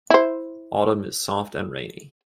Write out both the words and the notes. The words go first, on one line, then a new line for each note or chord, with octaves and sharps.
Autumn is soft and rainy.
E4 C5